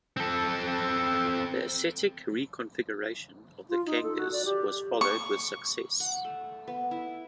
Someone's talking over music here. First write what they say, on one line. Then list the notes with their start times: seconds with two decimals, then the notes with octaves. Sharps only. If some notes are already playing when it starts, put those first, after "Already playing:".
The aesthetic reconfiguration of the Kangas was followed with success.
0.17 C4 A4
3.70 F4
3.86 D#4
4.03 A4
4.17 F#4
4.32 D5
4.45 G4
5.01 C#6
6.00 F#5
6.25 A3
6.68 B3
6.91 E4